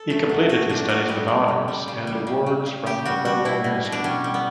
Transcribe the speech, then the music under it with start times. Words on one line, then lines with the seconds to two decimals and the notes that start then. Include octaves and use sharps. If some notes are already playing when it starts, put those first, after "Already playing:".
He completed his studies with honours and awards from the Federal Minister.
Already playing: A4
0.10 A3
0.29 F#3
0.49 A3 F#4
0.69 B2 D4
0.89 F#3 F#4
1.08 G3 G4
1.28 G3
1.48 C#3
1.68 G3
1.88 C#3
2.07 G3
2.27 C#3
2.46 C#3
2.66 C#3
2.86 C#3 G4
3.06 G3 F#4
3.25 G3 F#4
3.45 B2 E4
3.64 B2
3.85 B2
3.92 D4
4.04 G3 C#4
4.24 G3
4.34 B3